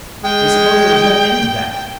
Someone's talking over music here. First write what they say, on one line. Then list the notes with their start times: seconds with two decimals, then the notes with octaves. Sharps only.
They supposed there was no end to that.
0.23 G#3 G5